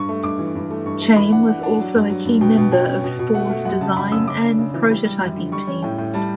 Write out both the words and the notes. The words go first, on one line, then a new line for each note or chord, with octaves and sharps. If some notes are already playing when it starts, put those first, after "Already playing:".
Chaim was also a key member of Spore's design and prototyping team.
Already playing: G2 C#6
A3
G2 D6
E3
G2
A3
G2 C#6
A3
E3 B5
D4 F#5
D4 F#5
D4 F#5
F#3
G2
F#3
G2
B2 G5
B2
B2 G5
C#4
B2
B2
A3 F#5
A3
F#2 F#5
C#3 A5
C#3 B5
C#3 E6
C#3 D6
D4
C#3
E3
G3
G3
F#2
D3
G3 C#6
C#4
A2 G5
A2
G3 A5